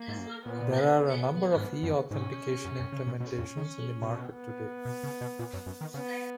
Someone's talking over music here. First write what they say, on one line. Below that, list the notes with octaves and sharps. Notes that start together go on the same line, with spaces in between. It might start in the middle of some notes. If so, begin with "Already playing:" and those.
There are a number of eAuthentication implementations in the market today.
Already playing: A#3
G#2
F#2
A#2 B3
B3
G#2
F#2
G#2 C#4
F#2
F#2
C#3
A#2
B2 C#4
F2
D#3
B2
B3
B2
C#3
B2
A#2
F#2
F#2
D#3
C#3 B3